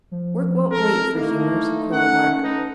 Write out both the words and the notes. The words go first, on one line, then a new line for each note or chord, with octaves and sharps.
"Work won't wait for humors," quoth Mark.
F3
C4 A4 A#4
A3 A#3 D#4 E4
C#4 F#5
D#4 A4 B4